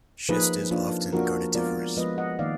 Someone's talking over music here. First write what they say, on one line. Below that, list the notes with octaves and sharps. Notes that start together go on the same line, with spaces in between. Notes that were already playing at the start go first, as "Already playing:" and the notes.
Schist is often garnetiferous.
F3 A#3 D#4 G#4 B4
F3 A#3 D4 F4
F3 A#3 D4 F4 F#4 A#4
F3 G#3 B3 F4 A#4 D5
F3 G#3 B3 F4 B4 D#5
D#5 F#5
D#3 A#3 D5 F5